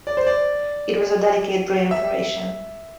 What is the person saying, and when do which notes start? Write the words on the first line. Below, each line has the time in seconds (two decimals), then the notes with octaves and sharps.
It was a delicate brain operation.
0.07 D5
0.17 C5
0.27 D5
1.91 E5